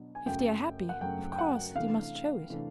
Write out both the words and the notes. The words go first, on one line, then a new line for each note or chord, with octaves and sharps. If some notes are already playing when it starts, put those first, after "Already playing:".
If they are happy, of course they must show it.
Already playing: B2 F#3 B3 D4
G#5
F#2 C#3 F#3 A3 G5
F#5
F#2 C#3 F#3 A3 G5
G5
F#5
C3 E3 A3 D4 F5
C3 E3 A3 D4